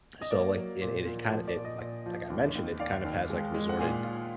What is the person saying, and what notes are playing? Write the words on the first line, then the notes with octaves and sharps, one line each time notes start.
so, like, it it kind it, like like, I mentioned, it kind of has, like, resorted
D#5
A#3 D5
F#3
A#2
A#2
F3
D5
A#2
D#5
A#2
F3
D#2
D#2
D#2 D5 F5
D#2
G#3
G#3
F#5
A#2 F5 G#5
F4